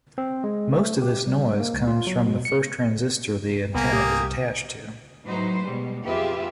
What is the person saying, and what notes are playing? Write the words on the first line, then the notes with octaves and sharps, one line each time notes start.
Most of this noise comes from the first transistor the antenna is attached to.
C4
G#3
A3
G4
G3
A#3
C#2
F4
F#3
B2
C#7
C2 A#3 B3 G#5
G4 D#6
A2 F#3 D#4 B4 C5
B2 G3 G#3
F2 F4 G4 G#4 B4 E5